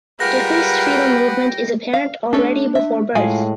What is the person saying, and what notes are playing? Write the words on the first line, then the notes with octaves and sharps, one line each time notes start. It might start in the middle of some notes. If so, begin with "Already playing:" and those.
Decreased foetal movement is apparent already before birth.
G3 G#3 F4 A#4 B4 F#5 G5 A#6
F5
A3 C#4 D4 A4
E5
A2 G#3 F4 F5 G#5